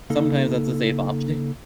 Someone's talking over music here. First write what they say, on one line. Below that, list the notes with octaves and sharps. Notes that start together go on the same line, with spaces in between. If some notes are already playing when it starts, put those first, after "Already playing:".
sometimes that's a safe option.
C#3 A#3 D#4 A4